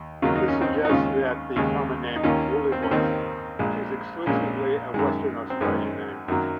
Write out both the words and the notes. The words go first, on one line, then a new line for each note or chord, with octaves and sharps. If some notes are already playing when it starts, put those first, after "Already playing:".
This suggests that the common name "woollybush" is exclusively a Western Australian name.
Already playing: D#2
D#2 C#3 F#3 A#3 F4
D#4
C#4
C4 D#4
D#4
D#2 C#3 G#3 C#4 F4
D#2 C#3 G#3
D#4
D#2 D#3 A#3 C#4 F4
C4
C#4
D#2 D#3 A#3 C4 D#4
A#1 A#2 G#3
A#1 A#2 G#3 C#4
F#2 D#3 G#3
C4
F#2 D#3 G#3 C#4
F#2 D#3 F#3 A#3